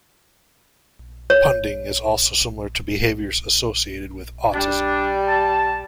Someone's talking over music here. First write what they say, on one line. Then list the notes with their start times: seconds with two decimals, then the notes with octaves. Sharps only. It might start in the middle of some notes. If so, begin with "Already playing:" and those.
Punding is also similar to behaviors associated with autism.
1.30 C#5
4.53 G3 D4
5.27 A5